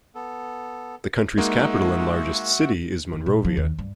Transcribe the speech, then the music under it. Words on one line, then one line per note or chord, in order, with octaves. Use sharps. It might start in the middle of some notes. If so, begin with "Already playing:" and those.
The country's capital and largest city is Monrovia.
B3 A4
G#3 A#3 D#4 F#4 E5 F#5
E2
A#2
F3
D#2
G2